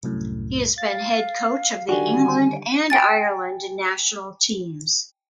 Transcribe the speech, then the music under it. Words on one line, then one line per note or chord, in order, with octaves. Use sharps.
He has been head coach of the England and Ireland national teams.
C2 F#2 A2
F5 A6
D3 D#3 G3 F#4 G#5
G5 G#5 A6